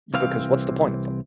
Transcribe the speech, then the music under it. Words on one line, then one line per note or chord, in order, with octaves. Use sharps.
Because what's the point of them?
C2 E3 C4 F5